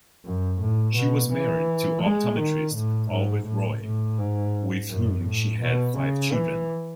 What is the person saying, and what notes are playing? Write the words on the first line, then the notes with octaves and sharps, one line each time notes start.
She was married to optometrist Albert Roy, with whom she had five children.
F#2
A2
B2
E3
G#3
D#3
A2
G#2
A2
A2
G#2
F#2
A2
B2
C#3
E3